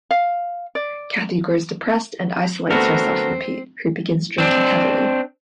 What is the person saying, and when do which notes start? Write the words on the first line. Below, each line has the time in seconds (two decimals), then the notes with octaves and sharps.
Kathy grows depressed and isolates herself from Pete, who begins drinking heavily.
0.11 F5
0.75 D5
2.70 D3 A3 B3 C4 F#4 A4 A#4
4.38 C4 D4